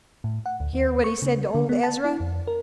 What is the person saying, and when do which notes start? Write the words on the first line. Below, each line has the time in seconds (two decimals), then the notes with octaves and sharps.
Hear what he said to old Ezra?
0.24 A2
0.46 F#5
0.60 D2
0.73 D#2
1.04 C#6
1.22 C#3
1.55 D3
1.69 B3
1.83 A5
2.05 E4
2.20 F2
2.47 A#4